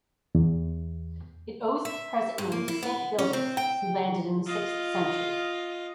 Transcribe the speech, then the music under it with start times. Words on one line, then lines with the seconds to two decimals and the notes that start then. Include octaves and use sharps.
It owes its present name to Saint Gildas who landed in the sixth century.
0.35 E2
1.85 E5
2.38 G2
2.52 A#3
2.68 E4
2.83 B3
3.19 C#4
3.33 C4
3.57 G5
4.47 F4 D#5